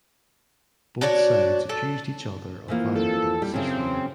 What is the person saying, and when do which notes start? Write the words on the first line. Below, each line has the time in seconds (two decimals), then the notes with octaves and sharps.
Both sides accused each other of violating the ceasefire.
1.01 D4 F#4 C#5 D5
1.69 A4
2.68 E3 F3 A#3
2.96 A4
3.42 G3
3.54 F#2 C#3 C4